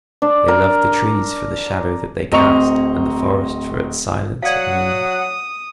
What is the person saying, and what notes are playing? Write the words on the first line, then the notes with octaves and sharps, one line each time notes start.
They loved the trees for the shadow that they cast, and the forest for its silence at noon.
D4
A#4
D1 C4 D#5 A#5 C#6 F7
F#3 D5 F5 F#5 D#6